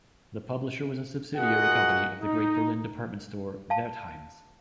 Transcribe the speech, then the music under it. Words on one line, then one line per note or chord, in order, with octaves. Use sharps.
The publisher was a subsidiary company of the great Berlin department store, Wertheim's.
F4 F#4 G#4 A#4 D#5 F#5
D#4
F5 A5